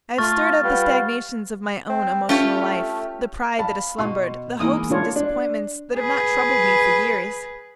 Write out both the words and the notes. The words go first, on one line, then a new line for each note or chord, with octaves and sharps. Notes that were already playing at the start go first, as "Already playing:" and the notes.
I have stirred up the stagnations of my own emotional life, the pride that has slumbered, the hopes and disappointments that have not troubled me for years.
A3 F4 C#6 F6 A6
G3 F4 B4 F#5
C4
A3 C#4 F4 G4
F5 A5 B5
B2 C6 C#6
E3 G#3 A#3 D#4 E4 D#6
D4 F4 C#5
D4
G#4 B4